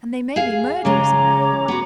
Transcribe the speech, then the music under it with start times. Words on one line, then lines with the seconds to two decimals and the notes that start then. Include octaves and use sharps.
And they may be murderers in their hearts.
0.36 G#4 F5
0.85 C#3 G#3 C#5 A#5 D6
1.68 B3 F#4